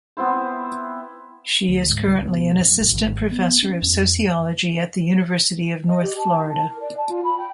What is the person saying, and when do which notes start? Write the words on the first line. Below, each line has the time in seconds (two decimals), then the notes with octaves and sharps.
She is currently an Assistant Professor of Sociology at the University of North Florida.
0.17 B3 C4 E4 C5
1.69 D2
1.89 G#2
2.07 C#2
2.27 B2
2.58 F#2
2.81 A#1
2.93 G#1
3.31 B3
3.63 C#4
3.82 F2
5.88 D#5
6.03 G4
6.18 A5
6.39 E4
6.50 A5
6.64 A#4
6.81 D5
6.97 A5
7.08 F4
7.24 B5
7.38 G5